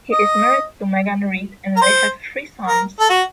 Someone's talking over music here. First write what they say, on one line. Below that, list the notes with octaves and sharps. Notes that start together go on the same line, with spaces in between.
He is married to Megan Reed and they have three sons.
D#5
A#4
C5
A#4
A4
F#4